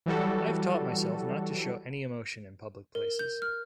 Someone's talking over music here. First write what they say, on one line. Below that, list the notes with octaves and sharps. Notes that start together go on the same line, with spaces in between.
I have taught myself not to show any emotion in public places.
E3 F#3 G3 F#4 A4
A#4
G6
F6